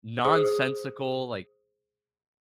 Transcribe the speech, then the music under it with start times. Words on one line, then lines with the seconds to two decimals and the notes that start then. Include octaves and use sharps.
nonsensical, like
0.25 G#4 C5 D#6